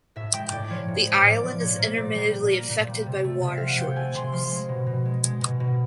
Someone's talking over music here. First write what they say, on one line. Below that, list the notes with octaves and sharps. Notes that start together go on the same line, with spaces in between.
The island is intermittently affected by water shortages.
A2 E5
G#3 G5
A2 D5
F3 C#5
A2
G#3
A2 D5
F3
A#2 C#5
A#3
A#2 D5
G3
A#2
A#3
A#2
G3
C3
A3
C3
E5
F3 F5
F#5
C3 G5
A3 G#5
C3 C6
F3 C6
G#3
B2
B2
G#3
G#3
B2
B2